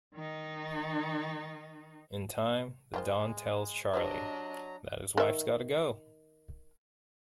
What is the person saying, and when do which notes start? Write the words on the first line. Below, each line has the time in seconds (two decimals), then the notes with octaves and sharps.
In time, the don tells Charley that his wife's gotta go.
0.14 D#3 D#4
2.94 D#3 G#3 F4 C5
3.94 F#3 D4 G4 B4 C5 D#5 A#5
5.17 D#3 E5